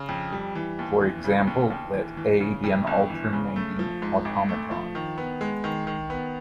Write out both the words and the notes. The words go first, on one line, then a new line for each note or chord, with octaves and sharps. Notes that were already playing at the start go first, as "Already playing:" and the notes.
For example, let "A" be an alternating automaton.
Already playing: C#3
F2
G3
E3
D#2
E3
C#3
D#2
D#2
E3
E3
C#3
F2
G1
E3
C#3
A3
F3
G#2
G#1
A3
F3
D#3
B3
G#3
D#3
D#3
B3